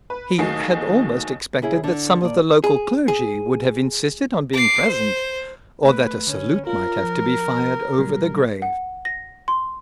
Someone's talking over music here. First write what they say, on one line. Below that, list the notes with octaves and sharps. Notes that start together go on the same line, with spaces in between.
He had almost expected that some of the local clergy would have insisted on being present, or that a salute might have to be fired over the grave.
B4
D#2 F#3 A3 D#4 G#4 C7
C#3 E4 G#4
D3
A#2 D5
G#4
G#4
D6 C7
C5
A3 B4
D3 C#4
F4 A#4
F3
A#2 F#3 G3
F#5
A#6
C6